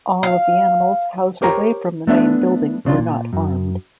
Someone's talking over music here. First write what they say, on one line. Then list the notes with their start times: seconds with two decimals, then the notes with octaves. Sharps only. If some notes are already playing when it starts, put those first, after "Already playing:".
All of the animals housed away from the main building were not harmed.
0.23 F5
1.42 G4 A#4 C5 C#5 G5 A#5
2.07 A3 B3 D4 E5
2.85 B1 C#3 D4 F4
2.99 A#2
3.33 F#2